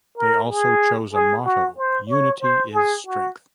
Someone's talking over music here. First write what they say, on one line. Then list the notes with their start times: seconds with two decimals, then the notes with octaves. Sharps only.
They also chose a motto: unity is strength.
0.18 A#4
0.50 G#4
1.13 G#4
1.45 F#4
1.78 C5
2.10 C#5
2.42 C5
2.73 G#4
3.06 F#4